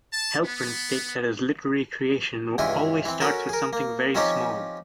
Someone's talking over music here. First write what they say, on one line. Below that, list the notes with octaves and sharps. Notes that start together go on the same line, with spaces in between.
Helprin states that his literary creation "always starts with something very small".
A5
B3
C#2 G2 E3 E4 F4 G#5
E3 C4
C#4 F#4 A4 A#4
G#4 A#4
A#3
F3 C4 C#4 D#4 G4 C#5